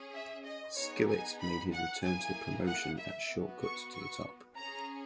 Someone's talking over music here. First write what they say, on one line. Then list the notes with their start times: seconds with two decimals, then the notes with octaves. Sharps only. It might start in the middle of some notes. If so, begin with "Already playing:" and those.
Skillet made his return to the promotion at Shortcut to the Top.
Already playing: C#4 G#4
0.13 E5
0.44 D#5
0.76 B3 D#4 G#4 C#5
1.08 G#5
1.39 B5
1.72 F#5
2.03 A#3 E4 G#4 G#5
2.67 F#5
2.98 E5
3.30 B3 F#4
3.62 C#6
3.93 C#6
4.56 C#4 G#4 A#5